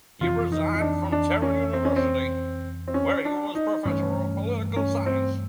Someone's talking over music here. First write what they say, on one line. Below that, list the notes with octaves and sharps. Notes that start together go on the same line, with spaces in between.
He resigned from Tehran University, where he was professor of political science.
F2 C3 E3 F4
D#4
D#4
D4
D4
C#4
C4
C#4
C4
C4
C#4
D4
D#4
G2 E3 A3 C#4
C#4
C4